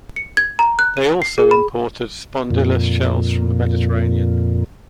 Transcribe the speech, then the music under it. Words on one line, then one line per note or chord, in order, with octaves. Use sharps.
They also imported spondylus shells from the Mediterranean.
C#7
G#6
A#5
F#6
D#7
C7
G#4
B5
F2 A#2